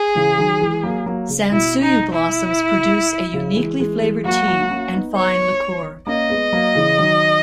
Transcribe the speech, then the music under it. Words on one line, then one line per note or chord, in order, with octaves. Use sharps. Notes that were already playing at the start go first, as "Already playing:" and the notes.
Sansuyu blossoms produce a uniquely favored tea and fine liquor.
Already playing: G#4
C#3 E3
D#3 F#3
E3 G#3
F#3 A#3
F#3 A#3
C#3
B2 E4
D#4
E4
C#3
E3 G#3
E3 G#3
E3 G#3
F#3 A#3 F#4
F#3 A#3
A#3 C#4
B3 D#4
C#5
A#3 C#4 D#5
G#3 B3
F#3 A#3
C#3 E3
D#3 F#3